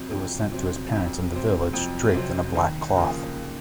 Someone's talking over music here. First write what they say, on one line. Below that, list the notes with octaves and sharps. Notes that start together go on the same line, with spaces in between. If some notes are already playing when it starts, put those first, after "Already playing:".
It was sent to his parents in the village draped in a black cloth.
Already playing: F2 C3 F#3 C4
F2
C3 F#3 C4
F2
C3 F#3 C4
F2
C3 F#3 C4
D#2
C#3 F3 A#3